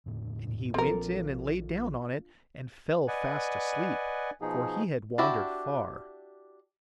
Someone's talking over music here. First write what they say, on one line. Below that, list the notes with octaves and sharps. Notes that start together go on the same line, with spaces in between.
And he went in and lay down on it, and fell fast asleep, for he had wandered far.
E1 A2 D3
A#1 F3 C4 D4 F4 A4 A#4
B4 D5 D#5 F#5 G#5
B2 F3 D#4 G#4
D4 E4 F#4 G4